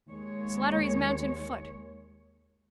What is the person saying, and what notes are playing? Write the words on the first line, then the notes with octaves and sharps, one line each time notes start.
Slattery's mounted foot.
D#2 G#3 C#5